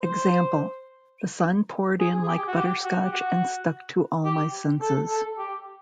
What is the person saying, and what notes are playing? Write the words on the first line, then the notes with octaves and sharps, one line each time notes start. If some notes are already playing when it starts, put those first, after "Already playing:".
Example: The sun poured in like butterscotch and stuck to all my senses.
C5
G#4
G#4
G4
F#4
G4
F#4
G4
F#4
G4
A4
A4
G4